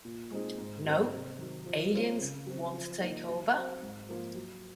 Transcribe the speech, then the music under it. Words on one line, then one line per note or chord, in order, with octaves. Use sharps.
No, Aliens won't take over.
A#2
G#3 C4 D#4 G#4
G#2
F#3 C4 D#4 A#4
C3
D#3 F#3
F3
C4 F4 A#4 C#5
C#3
F#3 C4 F#4
F3
A#3 D#4
F#3
C4 F#4 C5
G#2
F3 A#3 F4
F#3